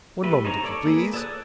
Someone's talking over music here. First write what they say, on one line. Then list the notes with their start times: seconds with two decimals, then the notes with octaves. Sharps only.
One moment, if you please!'
0.24 G3 A3 B4
0.45 D#4 C5 C#5 F5 A#5
0.63 A4 C#5 D5
0.85 A#3 G#4 B4
1.13 A4 C#5 D5 D#6 F#6